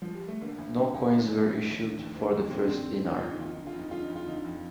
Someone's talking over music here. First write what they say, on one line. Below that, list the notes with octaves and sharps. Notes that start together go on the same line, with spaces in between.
No coins were issued for the first denar.
F3
G3
A3
D3 A#3
D2
D3
D2
D3
D2
D3 A3
D#2
D3
D#2
D3
D#2
D3 C4
D4
D#2 C4
D3
D#2 D#4
F4
D3
D#4
D#2 F4
D3 D#4
F4
F2 D#4
D3 F4
D#4
F2
F4
D3 D#4
F2